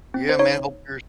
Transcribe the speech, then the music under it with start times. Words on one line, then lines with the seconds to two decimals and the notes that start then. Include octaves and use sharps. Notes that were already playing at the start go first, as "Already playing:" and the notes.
yeah, man, hope your
0.14 C4
0.29 C5
0.39 D#4 C#5